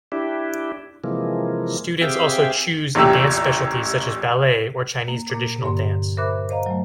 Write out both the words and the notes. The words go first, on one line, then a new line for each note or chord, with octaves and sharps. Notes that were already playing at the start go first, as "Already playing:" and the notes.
Students also choose a dance specialty such as ballet or Chinese traditional dance.
D4 E4 G4
C3 E3 F3 G#3 A#3
C4 G4 G#4 E5 F5 G5
A1 E2 A#2 G4 E6
A#3
A#2 A#3
G2 D3 A#3 C6
A#4 C5 E5 B5 D6 F#6
C5 C#5 D#5 F5 A#5
F#3 A3